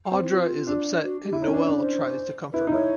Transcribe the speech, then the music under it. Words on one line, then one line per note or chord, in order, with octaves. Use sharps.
Audra is upset and Noel tries to comfort her.
C4
E4
F4
D4
F#4
G4
E4
D#4 C#5
C#4
D4
D4
C5
E4 B4
D#4
E4 C#5